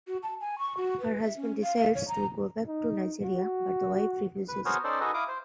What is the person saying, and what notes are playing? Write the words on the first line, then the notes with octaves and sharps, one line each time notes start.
Her husband decides to go back to Nigeria but the wife refuses.
F#4
A5
G#5
C#6
F#4
B4
E5
C#4
F5
F5
C#5
A#5
D#4
F#4
B4
B3 F#4 G#4 A#4 C5 C#5
C#4 D#4 A4 C5 D5
D#4 F#4 G#4 A4 B4 D#5
E4 F5 D6 D#6
C5